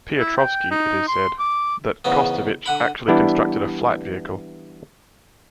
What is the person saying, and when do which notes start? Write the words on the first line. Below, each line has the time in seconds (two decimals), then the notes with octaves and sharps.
Piotrovski it is said, that Kostović actually constructed a flight vehicle.
0.19 E4
0.37 G5
0.71 D#4
1.08 C6
1.39 D6
2.05 E2 G#2 C#3 B3
2.66 D3 F#5 B5
3.08 E3 G3 B3 D4 E4